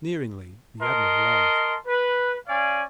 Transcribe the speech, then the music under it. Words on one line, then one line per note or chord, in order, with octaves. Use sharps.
Sneeringly the Admiral laughed.
A#4 D#5 A5 C6
B4
C#4 D5 F5 G#5